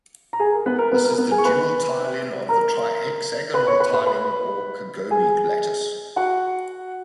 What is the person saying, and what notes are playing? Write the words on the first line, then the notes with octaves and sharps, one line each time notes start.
This is the dual tiling of the trihexagonal tiling or kagome lattice.
A#5
G#4 G#5
A#4
B3 B4
A#4
B3 B4
A#4
B3 B4
G#4 G#5
C#6
B4 B5
A#4 A#5
B4 B5
C#5 C#6
B4 B5
B4 B5
B4 B5
G#4 G#5
F#4 F#5